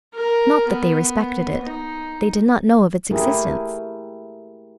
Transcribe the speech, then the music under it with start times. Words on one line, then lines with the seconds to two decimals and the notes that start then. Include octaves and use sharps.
Not that they respected it; they did not know of its existence.
0.14 A#4
0.69 B3
1.63 D#4
3.11 A3 E4 G4 G#4 A#4